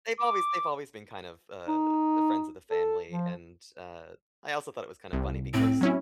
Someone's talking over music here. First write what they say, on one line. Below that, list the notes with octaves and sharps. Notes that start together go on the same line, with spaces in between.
they've always they've always been kind of uh, the friends of the family. And, uh, I also thought it was kind of funny because
D6
D#4
A4
F3
C2
A2 C4
F#3 C#4 E4